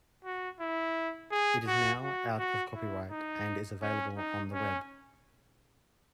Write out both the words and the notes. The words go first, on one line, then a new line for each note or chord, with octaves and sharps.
It is now out of copyright and is available on the web.
F#4
E4
G#4
F#4
F#4
F#4
E4
D#4
C#4
D#4
C#4